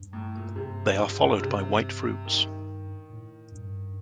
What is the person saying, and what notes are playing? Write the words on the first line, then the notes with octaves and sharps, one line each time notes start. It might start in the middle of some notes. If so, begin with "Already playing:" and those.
They are followed by white fruits.
Already playing: G2
A2
A#2
G2 C3
D3
C3
D3
C3
D#3
A2
G2